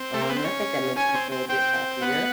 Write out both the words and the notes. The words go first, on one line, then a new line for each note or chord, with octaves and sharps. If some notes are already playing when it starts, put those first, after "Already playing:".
um, and I think that makes me feel a bit happier,
Already playing: C4
A3
A#3
B3
C4
C#4
C#4 G#5
C4
C4
C4 G5
B3 F#5